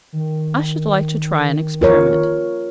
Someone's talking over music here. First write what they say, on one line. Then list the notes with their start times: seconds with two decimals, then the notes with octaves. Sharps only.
I should like to try an experiment.
0.13 D#3
1.81 F4 A#4 C#5